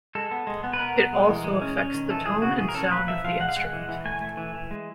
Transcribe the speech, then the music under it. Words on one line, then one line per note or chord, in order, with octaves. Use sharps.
It also affects the tone and sound of the instrument.
G#3 A4
B3
G#3
B3
B4
B3 A#4
B3
G#3
E3
G#3
C#4
C#4
D#3
E3 A4
E3 G#4
C#3 F#4
E3 G#4
A#4
C#4 A4
A#3 B4
F3 E5
F3 F5
G#3 F#5
F5
G#3 F#5
E3
E3
A3 G#5
A3
E3
E3
G#3